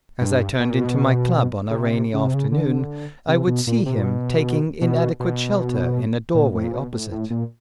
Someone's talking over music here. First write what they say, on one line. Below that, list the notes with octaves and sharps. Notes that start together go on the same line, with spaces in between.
As I turned into my club on a rainy afternoon I would see him taking inadequate shelter in a doorway opposite.
G2
B2
A#2
B2
C#3
C3
C#3
C3
C#3
D3
C3
B2
A#2
C3
A#2
B2
B2
B2
A#2
A2
A#2
B2
A2
A2
A#2